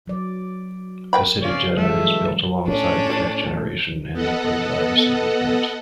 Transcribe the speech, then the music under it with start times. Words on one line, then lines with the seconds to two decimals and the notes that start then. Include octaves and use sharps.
The City Jetta is built alongside the fifth generation in the Puebla Assembly Plant.
0.08 F#3 D5
1.13 A#4 G5 B5
1.42 C#3 C#4 D5 F5
1.77 E3 F#3 G#3 A4 E5
2.68 A2 C#4 D4
4.13 B3 A4 D#5 F#5